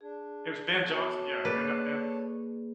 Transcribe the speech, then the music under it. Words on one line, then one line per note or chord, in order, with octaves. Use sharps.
It was Ben Johnson, yeah, and a and
D4 G#4
B3 F#4 A4 C#5 A5
A#3 G#4 B4 D5